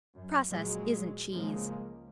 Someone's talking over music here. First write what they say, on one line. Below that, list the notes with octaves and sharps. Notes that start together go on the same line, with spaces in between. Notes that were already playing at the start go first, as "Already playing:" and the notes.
Process isn't cheese!
F#2
A#1 F#3 G#3
A2 C#3 F3 G#3 A#3
C#2